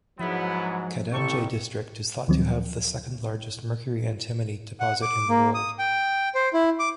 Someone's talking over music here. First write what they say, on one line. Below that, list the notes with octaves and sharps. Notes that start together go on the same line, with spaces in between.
Kadamjay district is thought to have the second largest mercury-antimony deposit in the world.
G#2 F3 F#3 B3 E4
A1 C4 G4 A4 C#6
D2 D#3 F3 F#3 C4
F#5
D6
A#3
D#6
G5
C5
E4
D6